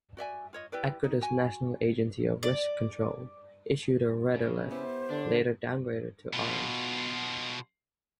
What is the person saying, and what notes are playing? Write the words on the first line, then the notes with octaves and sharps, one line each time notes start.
Ecuador's National Agency of Risk Control issued a "red alert", later downgraded to orange.
F#4 D5 E5 G#5
F4 C#5 D#5
E4 G4 B4 D5
D#4
F#4 G#5
D5
C#3
B3 E4 G4 C5
D3 D4
B2 F4